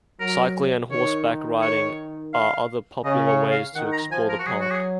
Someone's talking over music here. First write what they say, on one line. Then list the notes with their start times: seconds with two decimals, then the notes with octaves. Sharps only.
Cycling and horseback riding are other popular ways to explore the park.
0.20 F#3 A#4
0.91 D#3 C#5
1.62 C#5
2.33 F5
3.04 C#3 D#5
3.28 C#5
3.51 F5
3.75 D#3 F#5
3.93 A#5
4.11 F3 G#5
4.29 A#4
4.39 F#4
4.46 F#3 G#4
4.61 F#4
4.71 G#4